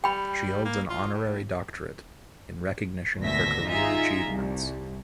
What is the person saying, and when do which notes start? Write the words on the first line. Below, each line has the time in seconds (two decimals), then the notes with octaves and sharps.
She holds an Honorary Doctorate in recognition of her career achievements.
0.04 G3 G5 B5
0.65 A#3
0.90 F4
1.14 A2
3.21 G#1 D2 B2 E5 A#6 B6
3.67 D#4 F4 G#4 E5 A#5
4.27 C2